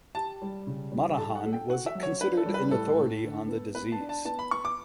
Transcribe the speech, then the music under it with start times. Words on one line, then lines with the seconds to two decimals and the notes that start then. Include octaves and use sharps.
Monaghan was considered an authority on the disease.
0.15 G4 A5
0.42 G3
0.67 C#3
0.92 G3
1.18 A4 A5
1.35 F#5
1.44 A4
1.53 G5
1.69 F#4 F#5
1.86 E5
1.95 F#3
2.03 C#5
2.20 D4 B4
2.37 A4
2.46 G3
2.54 B4
2.71 A2 A4
2.97 A2
3.23 D3
3.48 B3
3.75 B3 B4
3.92 A5
4.01 D4
4.09 A5
4.25 B3 A5
4.39 B5
4.51 B3 C#6
4.65 D6